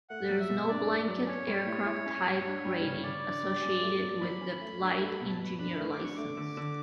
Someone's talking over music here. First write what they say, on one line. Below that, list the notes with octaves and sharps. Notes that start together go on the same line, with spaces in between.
There is no blanket aircraft type rating associated with the flight engineer licence.
A3 F#5
F#3
E5
B2
D4 D5
A3
F#3
C#4 C#5
G3
A2
E4
C#4
G3
D4
G3
C#3
C#3 D5
D4
G3
C#4
A3
F#3
F#3 B5
C#4
A3
D4
A3
B2
A5
B2 B5
D4 B5
A3
D6
D4
C#6
A3 D6
D3
D3